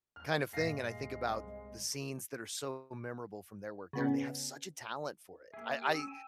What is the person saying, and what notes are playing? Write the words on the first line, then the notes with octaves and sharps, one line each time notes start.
kind of thing. And I think about the scenes that are so memorable from their work there, and they have such a talent for it. I I
F6
G2 A#2 G#3 F5 A#6 C7
C2
C#3 B3 C#4
A#3 G#4 E5
E5
G4 G5 G#5 D#6
C#4 E6
G5 G#5